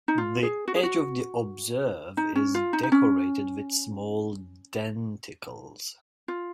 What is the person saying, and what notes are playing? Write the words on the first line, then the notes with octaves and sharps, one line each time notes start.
The edge of the obverse is decorated with small denticles.
D#4
F4
G#4
F#4
G#4
F#4
D#4
C#4
F4
D#4
D#4
C#4
F4